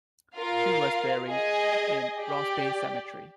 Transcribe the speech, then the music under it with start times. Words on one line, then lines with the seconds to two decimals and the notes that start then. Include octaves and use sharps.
She was buried in Ross Bay Cemetery.
0.35 F4 A#4 F5
1.27 G#4 D#5 G#5
2.20 G4 D5 G5